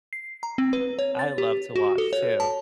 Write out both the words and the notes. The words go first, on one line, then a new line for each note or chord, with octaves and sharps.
I love to watch too.
C7
A#5
C4
B4
C#5
A6
G4
F#4
A4
C#5
A5